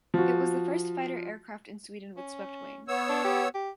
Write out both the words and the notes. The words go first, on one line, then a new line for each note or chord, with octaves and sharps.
It was the first fighter aircraft in Sweden with Swept wing.
F3 F#4
C#4
B3 C#5 E6
D4
G4
G4